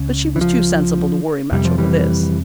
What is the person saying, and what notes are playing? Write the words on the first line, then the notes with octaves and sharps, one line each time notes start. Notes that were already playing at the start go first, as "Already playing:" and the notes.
But she was too sensible to worry much over this.
Already playing: C#2 C#3
E3
F3
F2 C3 G3
F3
E3 G3